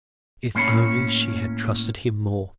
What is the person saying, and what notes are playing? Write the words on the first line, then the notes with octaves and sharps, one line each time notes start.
If only she had trusted him more!
A2 A#3 C#4 C#5 B5